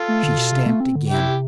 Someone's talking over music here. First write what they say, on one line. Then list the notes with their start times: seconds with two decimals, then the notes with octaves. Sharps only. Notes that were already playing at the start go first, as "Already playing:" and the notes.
She stamped again.
Already playing: F4 A4
0.08 A3
0.23 D3
0.37 B2
0.52 C3
0.66 A3
0.80 C4
0.96 D3
1.09 C3 E4 G4